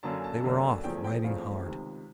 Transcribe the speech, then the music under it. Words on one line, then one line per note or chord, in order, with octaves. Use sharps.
They were off, riding hard.
F#2 D3 F#3 A#3 A5
G#5
A5
F#2 D3 F#3 A#3
E2 C#3 F3 A3 C4 G5
G#5
G5
E2 C#3 F3 A3 C4 F5
C#2 C3 D#3